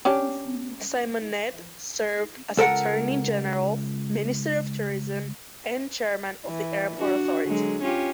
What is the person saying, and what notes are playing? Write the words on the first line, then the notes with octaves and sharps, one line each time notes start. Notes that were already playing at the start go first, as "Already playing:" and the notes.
Symonette served as Attorney General, Minister of Tourism and Chairman of the Airport Authority.
C#4 D4 G4
C#2 A4 A#4 F#5
E3
D4 F#4
D3 F#3 G#3
C#4 F4 G4